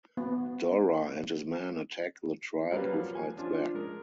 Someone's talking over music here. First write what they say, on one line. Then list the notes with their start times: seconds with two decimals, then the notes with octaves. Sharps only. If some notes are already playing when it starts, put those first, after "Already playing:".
Dora and his men attack the tribe who fights back.
0.17 B3
2.71 F#3 G3 A#3 B4 F5
2.92 F3
3.15 G#5
3.37 F3 C#4 D4 F4
3.75 G#3 A#4